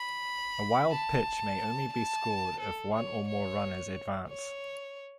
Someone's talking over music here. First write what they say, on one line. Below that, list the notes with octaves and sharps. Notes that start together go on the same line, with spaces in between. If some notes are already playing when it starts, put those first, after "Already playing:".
A wild pitch may only be scored if one or more runners advance.
Already playing: B5
A5
A5
A4
C#5
C#5
C#5